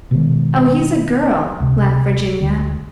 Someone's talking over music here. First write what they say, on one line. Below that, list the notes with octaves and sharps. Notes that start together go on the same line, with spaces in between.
"Oh, he's a girl!" laughed Virginia.
B2 D#3 G#3
C#2 C3
D2